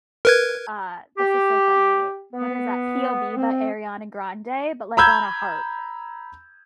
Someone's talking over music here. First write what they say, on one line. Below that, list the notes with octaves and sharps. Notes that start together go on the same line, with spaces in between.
uh, this is so funny. What is that? "POV" by Ariana Grande, but, like, on a harp.
A#4 B4 G#6
G4
B3
C4
A#5 B5 E6 G6 G#6